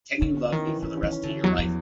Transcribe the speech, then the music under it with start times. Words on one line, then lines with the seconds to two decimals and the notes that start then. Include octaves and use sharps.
Can you love me for the rest of your life?
0.21 D3 C#4
0.37 C#4
0.52 D#3 E3
0.67 E3
0.83 D#3 C#4
0.97 C#4
1.03 D#3
1.12 C#4
1.23 D3
1.29 E3
1.43 E2 F#3
1.59 F3